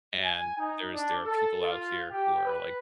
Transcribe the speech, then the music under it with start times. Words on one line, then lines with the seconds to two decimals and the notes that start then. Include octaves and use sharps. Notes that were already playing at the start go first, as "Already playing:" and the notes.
and there's there are people out here who are, like,
0.22 G#5
0.58 D#4
0.92 D4
1.24 A4
1.63 F4
2.11 G4
2.45 B4